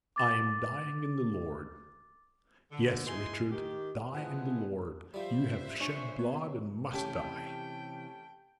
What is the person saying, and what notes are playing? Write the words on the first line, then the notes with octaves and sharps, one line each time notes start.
I am dying in the Lord.' 'Yes, Richard, die in the Lord; you have shed blood and must die.
D6 A6
D3
E3 G#3 D#4 E4 G#5 C6
D#3 G4
F3 G#3 B3 E4 G#4 F#5
F3 G3 C5 E5
D4 C#5 G#5 C#6
B3 C#5
C3 E3 A3 C#4 G4 G5 A5